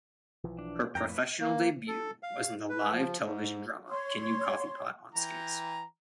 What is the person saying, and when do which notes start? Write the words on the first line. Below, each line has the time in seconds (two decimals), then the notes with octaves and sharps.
Her professional debut was in the live television drama Can You Coffeepot on Skates?
0.44 B1 E3 F3
0.59 D4
0.95 F2 A2 G5 A#5
1.08 A3 A#3 B4
1.40 A#3
1.88 A4
2.23 F5
2.69 B4
2.92 F3
3.23 G#2
3.88 C#5 C6
5.15 E3 G5 A#5